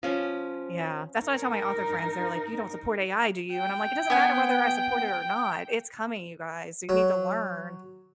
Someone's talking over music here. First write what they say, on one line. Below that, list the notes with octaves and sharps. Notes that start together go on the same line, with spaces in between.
Yeah. That's what I tell my author friends, they're like, "You don't support AI, do you?" And I'm like, "It doesn't matter whether I support it or not, it's coming, you guys, so you need to learn."
F3 C#4
D#4 A#4
G5
B3 G#5
F#3